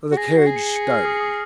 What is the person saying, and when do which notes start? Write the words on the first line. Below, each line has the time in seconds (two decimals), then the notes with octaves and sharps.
The carriage started.
0.12 F#4
0.17 G#4 A#6
0.37 F#4 C7
0.47 G#4
0.56 C#7
0.76 C#7
0.91 F6
1.05 D#6
1.21 D#6